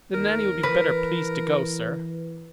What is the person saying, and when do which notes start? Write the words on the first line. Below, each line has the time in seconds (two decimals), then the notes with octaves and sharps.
"Then Nanny would be better pleased to go, sir."
0.14 D#2 A#4
0.63 E3 B4